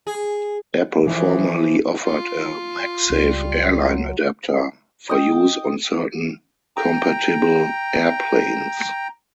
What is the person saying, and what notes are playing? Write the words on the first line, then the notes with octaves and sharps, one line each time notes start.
Apple formerly offered a "MagSafe Airline Adapter" for use on certain compatible airplanes.
G#4
E3 F3
F4
C#2 G3 B3
F#3
D#5 G5
G5 A#5